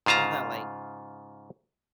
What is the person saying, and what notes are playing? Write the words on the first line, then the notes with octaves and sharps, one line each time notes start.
It's not like,
G#2 C#3 F4 A5 A#5